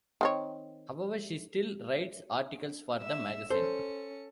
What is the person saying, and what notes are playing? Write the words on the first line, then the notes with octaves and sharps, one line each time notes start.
However, she still writes articles for the magazine.
D#3 C4 C#5
E5 E6
C#4 A4 C5 C#7